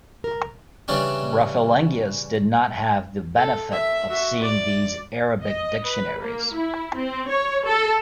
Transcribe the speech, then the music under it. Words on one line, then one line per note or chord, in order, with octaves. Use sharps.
Raphelengius did not have the benefit of seeing these Arabic dictionaries.
A#4
C#3 E3 G3 C#4 D4
A4
E5
F#4 E5
D5
D#5
B4
A#3
E4
C4
C#5
A4